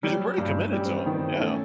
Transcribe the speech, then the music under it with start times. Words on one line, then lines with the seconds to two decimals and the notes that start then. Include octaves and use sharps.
'Cause you're pretty committed to 'em, yeah.
0.03 F#3 G3
0.38 G2
0.71 G3 C#4
0.85 C4
0.99 B3
1.06 D#3
1.12 C4
1.40 A3 C#4